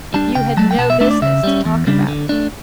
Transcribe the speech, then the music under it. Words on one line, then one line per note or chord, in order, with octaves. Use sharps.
"You had no business to talk about me!"
G3 D4 A5
C#3 G5
F#3 A3 A5
G5
B2 A5
E5
A3 D4 E5
D5
C#3 E5
G3 C#4
E2
C#3 G3 D4
D3
A3 D4